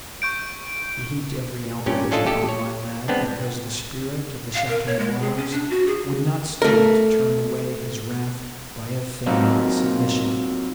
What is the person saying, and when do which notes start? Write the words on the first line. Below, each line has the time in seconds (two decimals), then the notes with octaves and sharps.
He heaped every outrage upon my lad, because the spirit of the Chateau Noirs would not stoop to turn away his wrath by a feigned submission.
0.22 C#6 G6 D7
1.86 G2 A#2 C#4 G4
2.11 C#4 D4 F4 A4 D#5
2.26 A3 G4 A4
2.49 C#5
3.08 G#3 B3 C4 D4
4.54 F5
4.69 A#4
4.87 C#5
4.99 G#3
5.20 G#4
5.37 C#4
5.51 D4
5.70 F#4
5.87 G#4
6.62 A3 A#4
9.26 A#2 F#3 A#3 C4 D#4